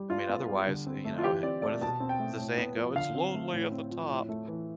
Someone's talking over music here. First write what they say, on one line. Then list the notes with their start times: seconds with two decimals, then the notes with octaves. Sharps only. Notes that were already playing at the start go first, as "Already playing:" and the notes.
I mean, otherwise, you know, he what is it the saying go, "It's lonely at the top."
Already playing: G3
0.09 D4 F4
0.29 B3
0.48 G3
0.67 D3
0.86 C4
1.05 A3
1.18 F4
1.24 E3 G4
1.43 C4 D5
1.62 A3 D5
1.81 B2 A5
2.00 C4
2.09 G5
2.19 A3
2.38 A2
2.58 B3
2.76 F3
2.95 D3 F5
3.15 C4
3.34 A3
3.53 A2
3.72 C4
3.91 F3
4.09 A2
4.29 A3
4.48 E3